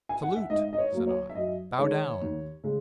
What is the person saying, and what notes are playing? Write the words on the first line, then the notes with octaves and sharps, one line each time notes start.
"Salute!" said I. "Bow down!"
G#5
F#5
E5
G#2 D#5
D#5
C#5
F#3 A#3
C#5
E5
F#2 D#5
D#3 G#3 C#5
D#2
C#3 G#3